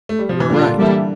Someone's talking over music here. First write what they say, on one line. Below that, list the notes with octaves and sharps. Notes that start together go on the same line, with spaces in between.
You are right.
A3
G3
F3
E3
A#2 D3 G3 D4 F4
D3
E3 G3 A#3 E4 A4